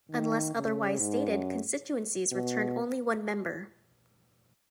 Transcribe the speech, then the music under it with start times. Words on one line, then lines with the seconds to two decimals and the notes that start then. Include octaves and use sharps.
Unless otherwise stated, constituencies returned only one member.
0.10 D#3
0.55 C#3
0.99 G#2
1.29 F#2
2.32 B2